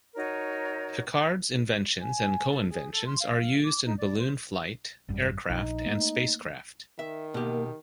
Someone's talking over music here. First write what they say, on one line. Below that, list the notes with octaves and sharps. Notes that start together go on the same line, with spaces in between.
Piccard's inventions and co-inventions are used in balloon flight, aircraft and spacecraft.
D#4 F#4 A#4 C#5
G#5
A4
G#4
A4
C6
F5
D6
D#4
D5
C5
G#1 F#2 G3
A#1 D#4
A3 A#3
D#3 E5
B2 A#3 G4